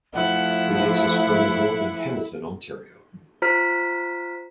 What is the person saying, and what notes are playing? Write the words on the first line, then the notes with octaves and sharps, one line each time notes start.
He makes his permanent home in Hamilton, Ontario.
F3 A3 E4 F#5
F4 C5 A#5 F6 B6